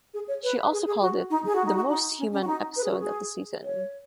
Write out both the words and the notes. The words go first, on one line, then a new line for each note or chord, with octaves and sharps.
She also called it the "most human" episode of the season.
G#4
C#5
B4
G#4
G#4
F#4
D#4
G#4
F#4
D#4
F#4
D#4
C#4
C#4
F#4
D#4
B4
G#4
F#4
G#4
C#5